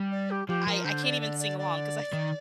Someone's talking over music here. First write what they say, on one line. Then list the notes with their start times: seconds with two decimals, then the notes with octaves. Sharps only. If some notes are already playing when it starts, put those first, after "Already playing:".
I I I can't even sing along 'cause I I
Already playing: G3
0.12 D5
0.30 G4
0.48 F3 G4
0.67 F3 A#4
0.84 D3 C5
1.03 D5
1.21 D5
1.39 D5
1.58 D5
2.13 D#3